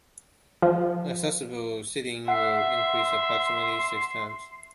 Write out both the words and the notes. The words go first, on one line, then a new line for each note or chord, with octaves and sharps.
Accessible seating will increase approximately six times.
F3
E5 F#5 C6 C7